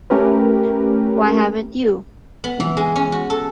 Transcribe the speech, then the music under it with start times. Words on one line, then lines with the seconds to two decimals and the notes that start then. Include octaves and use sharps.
Why haven't you?
0.10 A3 C#4 G4 A#4 B4
2.44 B3
2.60 E3
2.77 G#3
2.96 C#4
3.12 F#4
3.30 A4